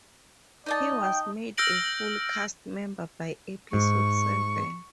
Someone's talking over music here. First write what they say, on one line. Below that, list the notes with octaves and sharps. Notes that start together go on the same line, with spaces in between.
He was made a full cast member by episode seven.
D#4 D5 D#5 A5
G5
E6 F6 G6 A#6 D7 F#7
G#2 C#6